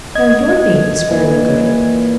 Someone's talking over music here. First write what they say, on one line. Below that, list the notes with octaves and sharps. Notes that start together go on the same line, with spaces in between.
Now, your name is fairly good.
D#5 G#6
A#2 E3